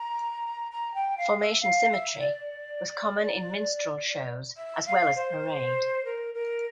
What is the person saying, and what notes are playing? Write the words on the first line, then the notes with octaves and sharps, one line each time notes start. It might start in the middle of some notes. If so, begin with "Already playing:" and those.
Formation symmetry was common in minstrel shows, as well as parade.
Already playing: A#5
A#5
G5
F5
E5
F5
E5
D5
E5
F5
C5
A#4
A#4